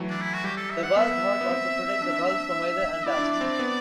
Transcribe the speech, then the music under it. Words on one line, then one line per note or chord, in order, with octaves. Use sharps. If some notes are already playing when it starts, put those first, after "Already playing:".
The valve hall also protects the valves from weather and dust.
Already playing: E3 F#3 A3
D4
E4
F#4
G3 G4
A4
E5
F#5
B3 E5
B3
C4
D4
E4 D5
D4
E4
C4
B3